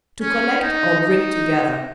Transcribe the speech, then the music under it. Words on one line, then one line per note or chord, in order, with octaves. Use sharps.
To collect or bring together.
C#4
D#4
D#4